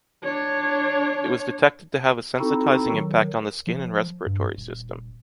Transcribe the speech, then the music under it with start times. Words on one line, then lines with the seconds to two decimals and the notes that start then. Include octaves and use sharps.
It was detected to have a sensitizing impact on the skin and respiratory system.
0.24 D4 C#5
2.39 C4 D#4 E4 F#4 A4
2.90 D#3 F#3
3.67 F3
4.26 G2
4.57 D#1